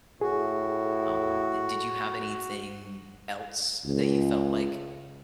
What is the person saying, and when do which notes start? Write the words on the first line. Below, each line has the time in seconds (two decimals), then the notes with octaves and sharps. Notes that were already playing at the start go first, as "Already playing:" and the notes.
Um, eh, did you have anything else that you felt like,
0.21 A2 F#4 G#4
3.85 C#2